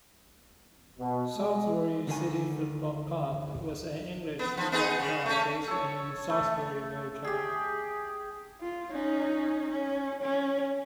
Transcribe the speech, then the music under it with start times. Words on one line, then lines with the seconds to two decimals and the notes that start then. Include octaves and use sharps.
Salisbury City Football Club was an English football club based in Salisbury, Wiltshire.
0.99 B2
1.37 G#3
2.07 D2 D3 D#3 G#5
4.39 B3
4.57 F3
4.72 B3 D#4 G#4
5.00 C#3
5.26 A3 C#4
5.67 A4 C#5
6.30 A3
7.24 G4 G#4
8.61 F4
8.91 C#4 D#4
9.70 C#4
10.22 C#4